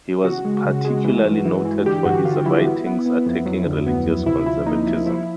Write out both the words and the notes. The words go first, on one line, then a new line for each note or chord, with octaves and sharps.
He was particularly noted for his writings attacking religious conservatism.
C#3 F#4
G#3
C#3
G#3
E3
G2
E3
E3
D3 G4
G2 F#4
D3 F4
F#3 E4
B3
B3
B3
F2
F#3
D2
B3
D2
C3 E4
F3 E4
A#3 D#4
F3 E4
F3 E4